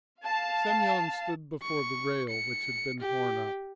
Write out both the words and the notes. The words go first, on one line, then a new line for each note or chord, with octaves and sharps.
Semyon stood before the rail which had been torn up.
F5 A5
C#6
C#7
G4